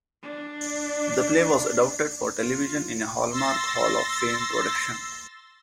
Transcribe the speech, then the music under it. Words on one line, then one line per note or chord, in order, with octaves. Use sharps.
The play was adapted for television in a Hallmark Hall of Fame production.
D4
F4
C6 E6 A6 A#6